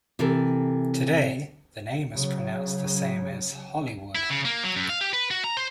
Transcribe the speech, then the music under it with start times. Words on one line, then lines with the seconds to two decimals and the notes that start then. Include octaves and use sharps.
Today, the name is pronounced the same as "Hollywood".
0.19 C3 E3 A4 A#4
2.13 C#3 F#3
4.15 E4
4.30 C#3
4.45 A#3
4.64 F#3
4.76 F#2
4.90 F5
5.01 G4
5.13 B4
5.31 F#4
5.44 A#5
5.57 C5